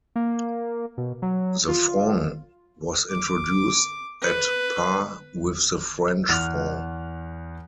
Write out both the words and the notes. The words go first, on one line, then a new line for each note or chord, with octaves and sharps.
The franc was introduced at par with the French franc.
A#3
B2
F#3
F4
D6
B4
E2 F6 F#6 F7